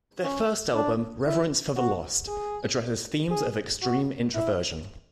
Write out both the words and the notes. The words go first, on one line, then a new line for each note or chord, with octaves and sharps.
Their first album, "Reverence for the Lost", addresses themes of extreme introversion.
C#4
D4
E4
F#4
G#4
G#4
F#4
E4